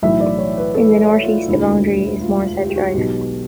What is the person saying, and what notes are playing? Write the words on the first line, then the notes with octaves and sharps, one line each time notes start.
In the north east the boundary is Morshead Drive.
B1 A2 E3 E5
D5
C#5
B4
A4
F4
E1 D2 D3 E4
F4
F4
G4
G4
F#4
B1 B2 G4